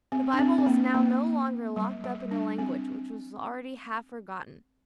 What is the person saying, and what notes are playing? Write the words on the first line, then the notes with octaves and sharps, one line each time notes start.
The Bible was now no longer locked up in a language which was already half-forgotten.
C4
D4
C4
C4
A#3
A#3
G3
G3
D4
C4